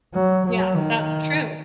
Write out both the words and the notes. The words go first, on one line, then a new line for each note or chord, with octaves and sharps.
Yeah, that's true.
F#3
F#3
D#3